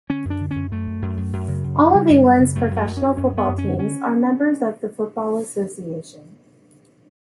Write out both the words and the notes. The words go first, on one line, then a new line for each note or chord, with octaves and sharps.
All of England's professional football teams are members of the Football Association.
D3 C#4
F#2
D4
D3
F#2 C#4
F#2 A3
F#2
F#2
F#2
F#2
C#3
F#2
C#3
C#3 G3
F#2
F#2
C#3
F#2 A3
F#2
A3
F#2
C#4
F#2
F#2 C#4
F#2 B3
F#2
C#4
D3
C#4